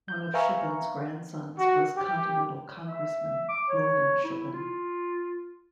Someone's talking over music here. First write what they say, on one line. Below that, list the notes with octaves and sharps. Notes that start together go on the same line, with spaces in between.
One of Shippen's grandsons was Continental Congressman William Shippen.
G6
B4 E5 F5 G#5 A#5 C#6
F#4
G4
E5
D6
C#5
E4
F4